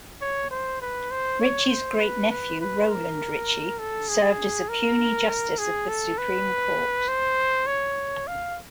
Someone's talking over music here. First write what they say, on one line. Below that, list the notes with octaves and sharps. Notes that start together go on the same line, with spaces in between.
Ritchie's great-nephew, Roland Ritchie, served as a puisne justice of the Supreme Court.
C#5
C5
B4
C5
C#5
C5
B4
B4
B4
A#4
A4
G#4
A#4
A#4
G#4
A4
B4
C5
C#5
F5